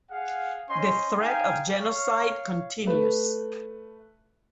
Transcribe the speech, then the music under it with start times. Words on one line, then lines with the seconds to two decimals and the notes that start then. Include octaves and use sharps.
The threat of genocide continues.
0.10 G#4 F5 F#5
0.69 C#4 C5 D#5 C6
1.18 D#4 F5 G5 G#5
1.78 C#5 F5
2.86 A3 B4